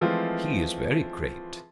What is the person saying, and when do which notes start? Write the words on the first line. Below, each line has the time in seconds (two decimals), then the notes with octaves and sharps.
He is very great.
0.01 E3 F3 G#3 A3 C4 F4